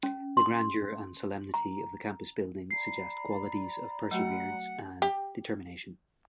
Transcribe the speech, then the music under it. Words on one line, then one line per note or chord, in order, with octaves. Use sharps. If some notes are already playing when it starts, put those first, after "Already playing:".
The grandeur and solemnity of the campus building suggest qualities of perseverance and determination.
C#4
C6
A#5
D5 A#5 B5 C7
F#3 A3 F#4 F#5
G4